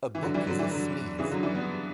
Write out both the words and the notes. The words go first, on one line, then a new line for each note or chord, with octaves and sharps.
A book is a sneeze.
E3
D3 F#3
E3 G3
D3 F#3
E3 G3
D3 F#3
C#3 E3
D3 F#3
E3 G3
G3 B3